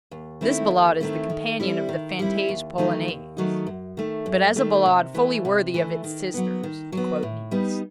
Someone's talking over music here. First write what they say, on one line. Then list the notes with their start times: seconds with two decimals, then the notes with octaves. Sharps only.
This Ballade is the companion of the Fantaisie-Polonaise, but as a Ballade "fully worthy of its sisters," to quote Niecks.
0.11 D#2
0.41 D#3 A3 C4 E4
0.71 D#2
1.00 D#3 A3 C4 E4
1.30 D#3
1.60 G3 C4 E4
1.89 D#3
2.19 G3 C4 E4
2.49 D#2
2.78 D#3 F#3 A3 D#4
3.08 D#2
3.37 D#3 F#3 A3 D#4
3.67 F#2
3.97 D#3 A3
4.26 F#2
4.56 D#3 A3
4.86 C3
5.15 E3 A3
5.45 C3
5.74 E3 A3
6.04 D#3
6.34 F#3 B3
6.63 D#3
6.92 F#3 B3
7.23 A2
7.51 G3 B3 D#4